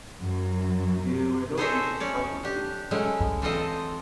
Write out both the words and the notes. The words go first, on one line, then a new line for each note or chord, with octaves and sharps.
There were no British casualties.
F#2
G#4 A4 C5 C#5 D#5 E5
C#4 C#5 D5
D4 G4
F#3 G#3 A3 C#4 E4
E3 C4 F4 A4 D#5 G5